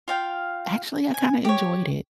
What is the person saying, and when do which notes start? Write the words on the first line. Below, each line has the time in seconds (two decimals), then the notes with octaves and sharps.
actually, I kinda enjoyed it,
0.08 F4 F5 G5
1.14 G#5
1.45 G4 C#5